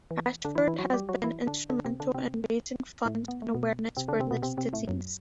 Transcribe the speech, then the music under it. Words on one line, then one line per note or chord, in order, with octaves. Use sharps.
Ashford has been instrumental in raising funds and awareness for this disease.
E3
D3 D4
E3 E4
E3 E4
F#3 F#4
G3 G4
F#3 F#4
E3 E4
D3 D4
D3 D4
C3 C4
D3 D4
C3 C4
A2 A3
B3
A3
B2 B3
C3 C4
D3 D4
C3 C4
B2 B3
C3 C4
C3 C4
A2 A3
F#2 F#3